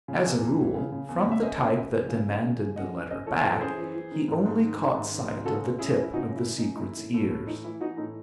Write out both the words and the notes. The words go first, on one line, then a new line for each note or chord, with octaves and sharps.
As a rule, from the type that demanded the letter back, he only caught sight of the tip of the secret's ears.
C#3
E2
E3
E3
C#3
C#3
E2
F#5
C#3
E5
F#2 C5 D#5
C#3
F#2
E3
C#3
F#2
C#3
F#2
F#2 D#5 F#5
F#2
F#2 C5 D#5
E3 A4 C#5
E3 C5
A4
F#2 G#4 C5
E3
E3
D#3
G#2
G#2
D#3
D#3
G#2
D#3
G#2
C#3 F#4 A4
F#2
F#2 E4 G#4
F#2
E4
C#3 D#4 F#4
F#2
E4
C#3
D#4
F#2
D#4
E3 E4
A2
A2
A2
E3 D#4
E3 E4
E3 D#4 F#4
A2 D#4